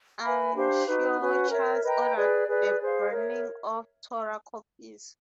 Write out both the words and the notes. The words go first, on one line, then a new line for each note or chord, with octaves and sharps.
Antiochus ordered the burning of Torah copies.
B4 E5 G#5 B5
D4 G4 C5 F5
D#4 F#4 B4
C#4 F#4 B4
A#4 C#5 E5
B4 D#5 G5 A#5
G#4 B4 D5
G#4 B4 D5
G#4 C5 F5
A#4 C#5 E5